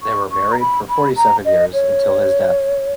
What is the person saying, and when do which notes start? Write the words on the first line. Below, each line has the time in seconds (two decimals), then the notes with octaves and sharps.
They were married for forty-seven years, until his death.
0.03 C#6
0.31 C#6
0.52 A#5
0.60 B5
0.89 B5
1.17 A#5
1.45 D#5
1.73 C#5